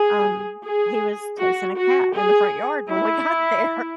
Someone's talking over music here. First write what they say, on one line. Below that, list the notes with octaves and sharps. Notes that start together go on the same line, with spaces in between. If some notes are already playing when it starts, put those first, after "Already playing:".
um, he was chasing a cat in the front yard when we got there.
Already playing: G#4
G#4
F#4
F#4
G#4
E4